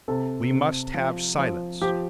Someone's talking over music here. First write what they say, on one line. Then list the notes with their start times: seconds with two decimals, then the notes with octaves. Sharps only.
"We must have silence!"
0.08 C3 A4
0.51 C3
0.94 F3
1.38 F3
1.81 F3 G4